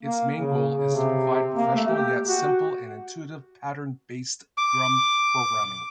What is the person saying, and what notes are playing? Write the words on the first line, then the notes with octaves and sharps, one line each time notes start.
Its main goal is to provide professional yet simple and intuitive pattern-based drum programming.
A#3
C#3
C#3
C3
A#3
A3
G4
F#4
D6